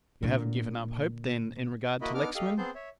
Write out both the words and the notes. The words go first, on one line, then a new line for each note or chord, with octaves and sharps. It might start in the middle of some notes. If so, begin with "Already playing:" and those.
"You haven't given up hope, then, in regard to Lexman?"
A#2 D3
A#3 E4 F#4 A#4 D#5 B5
B3 D4 D#4 D6 F6
G4 A4 D#5 F5
B3 C4 G#4 A5 C6 G6
C#5 E5